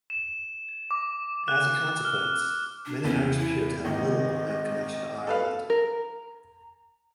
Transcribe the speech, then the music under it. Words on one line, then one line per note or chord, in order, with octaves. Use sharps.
As a consequence, many Irish peers had little or no connection to Ireland.
E7
D6
F#6
F6
D4
E2 C#4
E4
G#1 D#3 D#5
A4 B4 F5
A#4